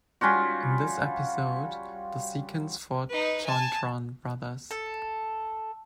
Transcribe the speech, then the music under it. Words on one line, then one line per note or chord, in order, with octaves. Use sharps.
In this episode the Seacons fought the Jointron Brothers.
G3 C#4 F4 F#4
D#4 B4
G#5 A5
A4